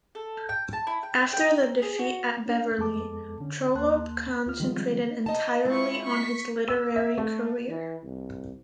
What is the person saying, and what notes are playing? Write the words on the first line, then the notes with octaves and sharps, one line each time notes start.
After the defeat at Beverley, Trollope concentrated entirely on his literary career.
A4
G5
A5
E4
G5
G5
A#5
G#4
F#4
C#4 D4 A#4
F2 G#3 B3 A4 A5 D6
D3 C#4
D#2 A#3 A5 C6 F#6
D2 F4 F6
D#3 F3 G3 G#3 C4 F4
D#4 D#5 A5
G#3 C4 E4 F4 C#6
C#6 B6
E6
E5
A3
E3
C2